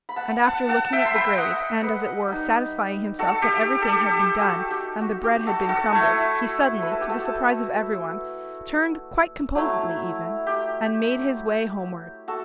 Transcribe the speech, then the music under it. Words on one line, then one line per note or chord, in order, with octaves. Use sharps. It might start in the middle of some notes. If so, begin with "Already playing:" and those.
And after looking at the grave, and as it were, satisfying himself that everything had been done and the bread had been crumbled, he suddenly, to the surprise of every one, turned, quite composedly even, and made his way homewards.
B5
F#5 A5
F#5 A5
F#5 A5
E5 G5
C6
G5 B5
D#5 F#5
B4 D#5
G3 D#4
F#4 A4
G4
G4
A4
G4
G4
F#4 A4
G4
F#4
G4
F#4 A4
F#4 A4
A3 E4
B4
A4
G4
F#4 A4
F#3 A3 E4
G4
F#4 A4